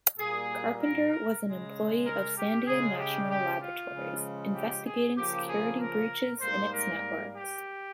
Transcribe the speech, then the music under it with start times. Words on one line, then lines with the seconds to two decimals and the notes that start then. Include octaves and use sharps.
Carpenter was an employee of Sandia National Laboratories, investigating security breaches in its networks.
0.18 A#2 G3 A#3 G#4
0.80 A#4
1.11 A#4
1.43 C#3 G#3
2.05 A#4
2.36 G4
2.67 C#3 G#3 G#4
2.98 G4
3.29 G4
3.60 F4
3.92 C#3 F3 G#3
4.54 G4
4.85 G#4
5.16 C#3 F3 A#3 G4
5.47 G#4
5.79 A#4
6.40 G#2 G3 A#3 C5
6.72 A#4
7.34 G4